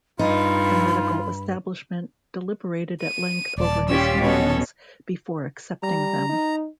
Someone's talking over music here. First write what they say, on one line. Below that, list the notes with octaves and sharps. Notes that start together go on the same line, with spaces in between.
The medical establishment deliberated at length over his findings before accepting them.
G2 D#4 F4 B5
D#7
D#1 D5 A5
C#4 F4 G4 E6
B2 B3 C#4 A4 C#5
G3 A#5
D#4